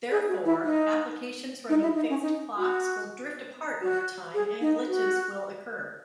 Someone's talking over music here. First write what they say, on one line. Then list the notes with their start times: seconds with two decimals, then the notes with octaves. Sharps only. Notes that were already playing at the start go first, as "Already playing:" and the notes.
Therefore, applications running fixed clocks will drift apart over time and glitches will occur.
0.11 G#4
0.28 F#4
0.45 E4
0.64 D#4
1.69 D#4
1.82 E4
1.95 D#4
2.09 C#4
2.22 D#4
2.57 F#4
3.82 F#4
4.34 G#4
4.61 D#4
4.87 F#4